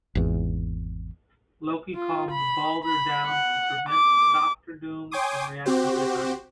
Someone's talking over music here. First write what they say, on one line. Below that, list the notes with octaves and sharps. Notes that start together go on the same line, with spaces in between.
Loki calmed Balder down to prevent Doctor Doom from reacting to the comment.
G#1 E2
F4
B5
B5
F#5
D6
C#5 G5 G#5 C6 D6 D#6
C4 F#4 G4 C5